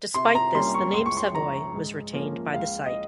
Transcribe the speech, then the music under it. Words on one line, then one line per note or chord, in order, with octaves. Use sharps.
Despite this, the name Savoy was retained by the site.
C3 C6
A#5
G3 A#3 C#4 C6
C#6
C#2 C6
C#6
C6
C#3 F3 A#5
G#2
F3 A#3 C#4
C#2 F5
D#5